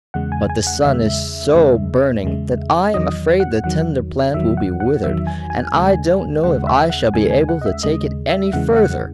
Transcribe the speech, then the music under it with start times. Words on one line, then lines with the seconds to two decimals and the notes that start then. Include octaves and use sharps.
But the sun is so burning, that I am afraid the tender plant will be withered, and I don't know if I shall be able to take it any further.'
0.14 E2 C#3 G#3 F#5
0.32 G#5
0.50 G#5
0.67 F#5
0.84 E2 C#3 G#3 E5
1.54 E2 C#3 G#3
2.24 E2 C#3 G#3
2.94 E2 D#3 F#3 D#5
3.40 F#5
3.64 E2 D#3 F#3 F#5
4.34 E2 D#3 F#3 E5
4.57 F#5
4.80 F#5
5.04 E2 D#3 F#3 E5
5.27 G#5
5.50 G#5
5.74 D#2 C#3 G#3
6.44 D#2 C#3 G#3 F#5
6.67 E5
6.90 F#5
7.13 D#2 C#3 G#3 G#5
7.31 G#5
7.49 F#5
7.61 D#5
7.66 E5
7.83 D#2 C#3 G#3 D#5
8.30 E5
8.53 E2 C#3 E3 G#3 F#5
8.76 F#5